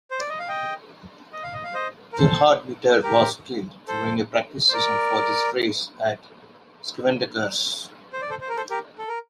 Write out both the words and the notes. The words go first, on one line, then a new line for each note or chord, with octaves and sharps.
Gerhard Mitter was killed during a practice session for this race at Schwedenkreuz.
C5
D5
D#5
F5
D#5 G5
D#5
F5
D#5
F5
C5 D#5
A#4
A4 C5
G4 A#4
A4 C5
C5
A#4 D5
C5
D5
A4 C5
C5
A#4
A4 C5
G4 A#4
A4
A#4